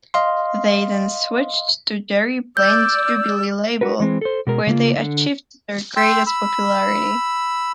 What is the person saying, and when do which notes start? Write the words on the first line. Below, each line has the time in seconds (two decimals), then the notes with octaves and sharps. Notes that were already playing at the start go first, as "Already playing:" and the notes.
They then switched to Jerry Blaine's Jubilee label, where they achieved their greatest popularity.
0.14 D#5 F5 C6
2.57 D5 E6 G6
3.81 F#4 A#4 B4
4.00 E3 G#3 C4
4.21 A4 C5
4.47 B2 G#3 A#4
4.67 C#3 A#3 F4
4.96 D3
5.96 G5 C6 E6
6.26 B5 E6